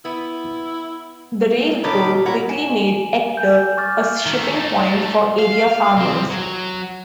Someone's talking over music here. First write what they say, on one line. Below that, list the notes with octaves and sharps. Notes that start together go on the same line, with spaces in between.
The railroad quickly made Ector a shipping point for area farmers.
B3 E4
A#2 D3 C#4 D#4 A5 B5 D6
A#2 C#5 F#5 A#5 B5
G#5 E7
G#5 G6
C#6 D6 F6 A6
D#3 A3
A3 D#4
F5
C2 C4
F#3